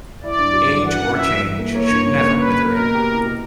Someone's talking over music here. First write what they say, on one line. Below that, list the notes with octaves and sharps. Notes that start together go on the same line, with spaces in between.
Age or change should never wither it.
E4 D5
G2
F#3
G2
E3 F#5
F#2
F#2 E5
F#2
E3
A#3
A#3 C#5
G2
C#3 C#5
A#3
C#3 B4
C#3
A#3 A#4
B2
G4
E4
B2